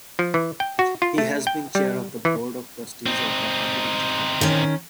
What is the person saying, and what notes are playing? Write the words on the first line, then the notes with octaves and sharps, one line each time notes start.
He has been chair of the board of Trustees of The Architecture Foundation.
F3
E3
G5
F#4
F4
A3
G5
G3
E3
C4 D#4
D#3 C#4